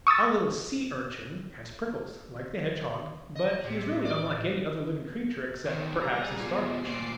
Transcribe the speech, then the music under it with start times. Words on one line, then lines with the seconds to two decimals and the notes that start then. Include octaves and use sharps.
Our little Sea-urchin has prickles, like the hedgehog, but he is really unlike any other living creature, except, perhaps, the Starfish.
0.07 C#6 D#6 E6 A6
3.35 D#5
3.64 A2 C3
4.05 D5
5.65 E2 D#3
6.02 G3 G#4 A#5
6.40 B3 F4
6.84 D2 A#2 C5 D6 C7